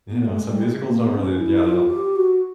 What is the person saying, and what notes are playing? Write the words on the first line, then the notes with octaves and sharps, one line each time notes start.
You know, so musicals don't really yeah, they don't
B3
A3
G#3
G3
G#3
A#3
B3
C#4
E4
F4
G4
F#4